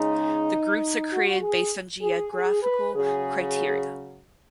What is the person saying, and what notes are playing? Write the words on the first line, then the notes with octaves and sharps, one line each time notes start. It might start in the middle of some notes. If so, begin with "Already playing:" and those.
The groups are created based on geographical criteria.
Already playing: C#3 G#3 D#4
F#4
G#4
G#4
G#4
B4
C#3 F#3 G#4
G#4